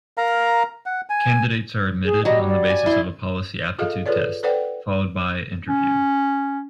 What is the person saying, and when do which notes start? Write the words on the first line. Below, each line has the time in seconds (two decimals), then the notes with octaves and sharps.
Candidates are admitted on the basis of a Policy Aptitude Test, followed by interview.
0.17 A#4 F5 A#5
0.86 F#5
1.10 G#5
2.05 G#4
2.25 F#3 G3 D#5
2.48 D5
2.70 G#5
2.86 E4 C6
3.79 F4 G#4 A4 D#5 F5
4.06 F4 G#4 A4 B4 C#5 D5
4.43 A4 B4 C5 D5 F#5 G5
5.68 C#4